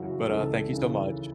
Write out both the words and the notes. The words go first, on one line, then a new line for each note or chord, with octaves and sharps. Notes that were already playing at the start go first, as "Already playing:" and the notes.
But, uh, thank you so much
Already playing: F#2 C#3 E3 F#4
C#2 C#3 E3 A4
D#2 C#3 E3